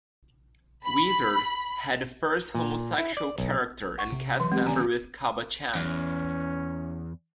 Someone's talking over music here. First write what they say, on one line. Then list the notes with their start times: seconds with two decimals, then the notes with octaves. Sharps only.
"Wizard" had the first homosexual character and cast member with Kaba-chan.
0.86 B5
2.55 A#2
2.98 E4
3.17 D5
3.38 B1
3.98 F#5 C#6
4.12 C3
4.40 E3 F#3
4.52 G#3 C4 G4
4.66 D2 D#3 C#4 D5 G#5 A#5
5.75 E2 C#4